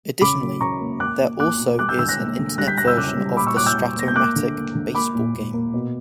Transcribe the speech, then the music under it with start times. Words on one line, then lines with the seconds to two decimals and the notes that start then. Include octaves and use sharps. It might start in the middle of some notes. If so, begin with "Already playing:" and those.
Additionally, there also is an Internet version of the Strat-O-Matic Baseball game.
0.21 C#3 B5 D6
0.41 F#3
0.61 C#3 A#5 C#6
0.80 A#3
1.00 A#3 D6 F#6
1.20 A#3
1.39 A#3 D6 F#6
1.59 B2
1.79 G3 D6 F#6
1.89 E6 G6
1.99 D3 E6 G6
2.08 F#6 A#6
2.19 A#3
2.38 D3
2.58 G3 F#6 A#6
2.68 G6 B6
2.78 G3 F#6 A#6
2.87 E6 G6
2.97 C#3 D6 F#6
3.17 G3
3.37 A#2 B5 D6
3.47 C#6 E6
3.56 A#2 D6 F#6
3.66 E6 G6
3.76 G3
3.96 A#3 A#6
4.08 G6
4.16 A#3 D6 F#6
4.36 D3
4.55 A#3
4.75 D3
4.95 A#3 B5 D6
5.15 A#2
5.34 A#2
5.54 A#3
5.74 B2